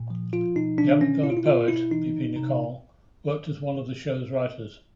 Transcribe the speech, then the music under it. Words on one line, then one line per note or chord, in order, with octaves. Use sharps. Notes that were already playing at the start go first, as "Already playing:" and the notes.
The avant-garde poet bpNichol worked as one of the show's writers.
Already playing: A#2
F3
F3 F4
B2 D#4
B2 D4
B2 C#4
B2 E4
F4
E4
B2 F4
B2 E4
E3 D#4
C3
C3